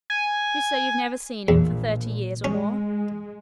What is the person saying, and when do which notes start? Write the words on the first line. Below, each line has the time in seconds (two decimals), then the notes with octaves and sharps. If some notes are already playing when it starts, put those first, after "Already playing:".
You say you've never seen him for thirty years, or more?
0.10 G#5
1.48 A#1 E2 A#2
2.44 G#3 C#4